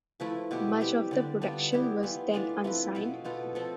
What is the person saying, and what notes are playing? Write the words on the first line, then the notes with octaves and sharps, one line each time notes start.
Much of the production was then unsigned.
F3 A3 E4 B4
B2 B3 E4 G4
G3 C4 G4 B4
D3 G3 D4
D3 G3 B3 F4
G3 B3 E4 G4
E3 B3 F4
E3 A3 D4 F4
F3 C4 E4 B4
B2 B3 F4
B2 B3 F4 A4
F3 C4 F4 A4